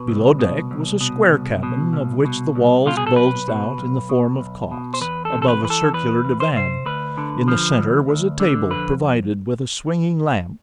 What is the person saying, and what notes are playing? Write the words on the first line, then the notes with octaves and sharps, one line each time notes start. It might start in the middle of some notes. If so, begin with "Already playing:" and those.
Below deck was a square cabin, of which the walls bulged out in the form of cots, above a circular divan; in the centre was a table provided with a swinging lamp.
Already playing: B2 B4
C2
B2
C2
B2
C2
B2
C2
B2
C2
B2 F4
G#4
A4
B1 B4
B2
B1
B2
B1
B2
C5
E2 B4
A4
C3
A4
B4
E3 B4
A4
E2 B4
E2
C5
C3 C5
D2 B4
D3
F3
D2
D2
D3
F2 B4